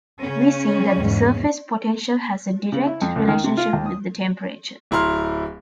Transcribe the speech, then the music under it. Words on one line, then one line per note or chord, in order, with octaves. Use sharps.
We see that the surface potential has a direct relationship with the temperature.
C#3 C#4
E2 G#2
C#3
E4
F2
C#2
D#3
C3
F4
D#2
D#6
D1 E4 A#5 C6 F6